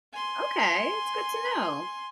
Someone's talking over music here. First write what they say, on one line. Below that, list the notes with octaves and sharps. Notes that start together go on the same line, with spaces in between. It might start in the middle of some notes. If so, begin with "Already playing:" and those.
Okay. It's good to know.
G#5 C6